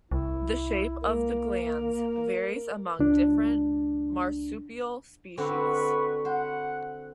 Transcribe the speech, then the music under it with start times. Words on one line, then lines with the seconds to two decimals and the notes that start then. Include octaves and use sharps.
The shape of the glans varies among different marsupial species.
0.11 C2 E4
1.02 A#3 A#4
2.99 C#2 D4
5.38 D3 C4 F#4 B4 B5 C#6
6.25 C5 F#5